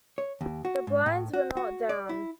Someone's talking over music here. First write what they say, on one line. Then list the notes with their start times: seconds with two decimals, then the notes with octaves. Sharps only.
The blinds were not down.
0.18 C#5
0.41 D#2
0.65 F#4
0.87 G#2
1.06 A2
1.34 F#4
1.57 F#4
1.89 D5
2.09 E4